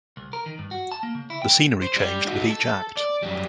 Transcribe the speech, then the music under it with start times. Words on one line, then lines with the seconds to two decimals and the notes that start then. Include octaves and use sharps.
The scenery changed with each act.
0.17 C2
0.33 A#4
0.46 D#3
0.59 G2
0.71 F#4
0.92 A5
1.03 A#3
1.15 C#3
1.30 E4
1.42 G5
1.82 C5
1.96 G3
2.27 D#4 F#4
2.50 A4
2.97 D5
3.22 F#2 G3